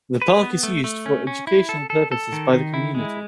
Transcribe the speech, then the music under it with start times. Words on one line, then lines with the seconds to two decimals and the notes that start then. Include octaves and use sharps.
The park is used for educational purposes by the community.
0.22 B4
0.43 B3
0.63 A3
0.84 A3
1.06 C#4
1.27 C#4
1.47 E4
1.69 A4
1.90 A4
2.12 A4
2.32 D#3
2.53 D#3
2.74 E4
2.95 G#3